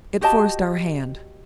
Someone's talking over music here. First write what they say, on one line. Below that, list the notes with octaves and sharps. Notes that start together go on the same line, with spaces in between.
It forced our hand.
F#4 G4 D#5 A5